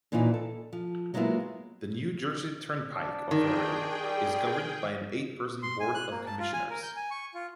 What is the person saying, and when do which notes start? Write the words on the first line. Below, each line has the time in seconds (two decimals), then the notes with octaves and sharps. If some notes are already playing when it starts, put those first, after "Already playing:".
The New Jersey Turnpike Authority is governed by an eight-person Board of Commissioners.
0.12 A#2 E3 C#4 D#4 F4
0.34 A4
0.73 F3
1.14 F#3 G#3 A#3 B3 E4 F4
2.96 D4
3.31 D#3 G#4 G5
4.03 G3
5.63 C6
5.80 G#5
5.94 F#6
6.11 A#3
6.26 A5
6.39 F4
6.53 G#5
6.70 A#4
6.83 G6
6.96 G#5
7.11 C#6
7.34 F4